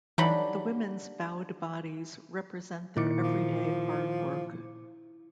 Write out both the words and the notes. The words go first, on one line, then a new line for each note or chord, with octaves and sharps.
The women's bowed bodies represent their everyday hard work.
D3 E3 F#3 G3 D#4 G4 B5
A#2 D#3 E4 D6 C#7
F3